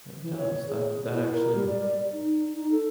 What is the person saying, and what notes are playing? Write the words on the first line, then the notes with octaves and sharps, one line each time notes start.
But it does, that that actually
E3
C#5
G#4
E4
A#4
G3
D5
D#4
D#4
A4